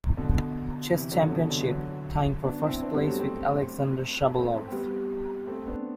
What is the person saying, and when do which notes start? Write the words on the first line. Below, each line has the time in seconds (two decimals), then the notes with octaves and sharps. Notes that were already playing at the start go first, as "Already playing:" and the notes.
Chess Championship, tying for first place with Alexander Shabalov.
0.17 B2 D3
0.93 C3 E3
1.11 D3 F#3
1.31 B2 D3
1.50 D3 F#3
1.61 E3
1.69 D3 F#3
2.44 B3 D4
2.63 C4 E4
2.82 B3 D4
2.94 G3 B3
3.08 F#3 A3
3.20 A3 C4
4.34 A3 C4
4.68 C4
4.72 G3 B3
5.47 A3 C4
5.67 B3 D4